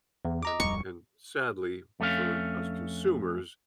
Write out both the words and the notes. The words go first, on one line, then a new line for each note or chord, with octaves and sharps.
And and, sadly, for us consumers,
E2
D#5 A#5 D6
D1 F2 G3 C#6
F2 A3 C#4 G4 F5